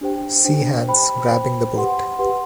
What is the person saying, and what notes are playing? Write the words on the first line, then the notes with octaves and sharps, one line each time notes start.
Sea hands grabbing the boat.
D4 G4 C5 G5
D4 G4 C5 G5
C5 G5 B5
C5 G5 B5
G4 B4 F#5 C6
G4 B4 F#5 C6